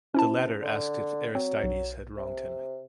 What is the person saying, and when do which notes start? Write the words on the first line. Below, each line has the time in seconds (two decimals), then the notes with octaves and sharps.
The latter asked if Aristides had wronged him.
0.14 C3 C#4 E4 A5
0.62 D3
1.35 F#3 C4
1.63 B1
2.17 C3